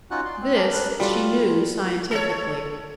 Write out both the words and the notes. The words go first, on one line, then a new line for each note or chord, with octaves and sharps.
This she knew scientifically.
C#4 D#4 F4 F#4 F#5 F#6
D5 C6
C4
D4 G#4 A#4 D5
D4 A#4 B4
G3 F4 F#4 A4 B4
A4 C#5